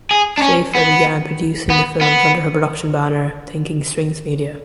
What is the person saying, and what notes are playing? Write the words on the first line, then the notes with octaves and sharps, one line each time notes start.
Schafer began producing the films under her production banner Thinking Strings Media.
G#4
D4
C#4
B3
B3
B3